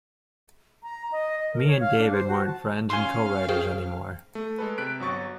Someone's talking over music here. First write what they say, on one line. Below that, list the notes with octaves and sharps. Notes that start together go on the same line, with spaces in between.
Me and David weren't friends and co-writers anymore.
A#5
D#5
D#5
A#4
C#5
F5
D4
C5
F#4
A5
C#4 F5 G#5 C6
G#4 C5 G5
A3
G#3 A4 B4
C3 F#6 B6 D7
G1 F#3 C#6 A6